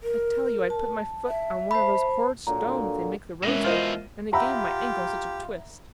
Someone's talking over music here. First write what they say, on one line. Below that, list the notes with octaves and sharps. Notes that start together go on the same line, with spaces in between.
"I tell you I put my foot on one of those horrid stones they make the roads with, and it gave my ankle such a twist."
A#4
A5
E5
C5 A5 B5
A#2 D3 F#3 A#5
B2 E3 G#3 C#4 A#4 E5 A#6
F4 C5 D#5 F6 D#7
F4 G4 E5 F#5 A#5 B5 E6